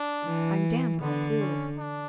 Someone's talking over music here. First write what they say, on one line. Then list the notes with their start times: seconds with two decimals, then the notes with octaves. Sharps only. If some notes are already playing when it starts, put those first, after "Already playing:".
I'm damp all through.
Already playing: D4
0.24 E3
1.01 D3 B3
1.40 C#4
1.78 D4